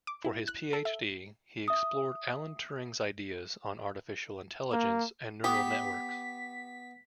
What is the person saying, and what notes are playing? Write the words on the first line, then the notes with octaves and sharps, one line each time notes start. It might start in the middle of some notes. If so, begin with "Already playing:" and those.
For his PhD, he explored Alan Turing's ideas on artificial intelligence and neural networks.
D6
E4
F#6
A4
E5
E5 D#6
A#3
B3 G4 D6 D#6 B6